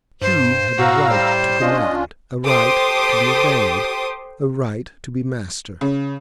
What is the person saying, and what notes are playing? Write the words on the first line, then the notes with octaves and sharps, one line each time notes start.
He had a right to command, a right to be obeyed, a right to be master.
G2 C5
A2 F#4 F5 A#5 E6
G3 C5
C#4 D4 F4 D#5
G4 A4 C5 C6 D6 D#6
C#3